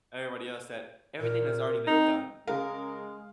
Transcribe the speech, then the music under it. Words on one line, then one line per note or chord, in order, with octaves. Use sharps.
everybody else that everything has already been done.
A#2 A#4
C4 D#4
C#3 G#3 A#4 F5